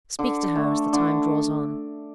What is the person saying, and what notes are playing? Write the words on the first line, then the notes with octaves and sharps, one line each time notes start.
Speak to her, as the time draws on.
D3
A3
D3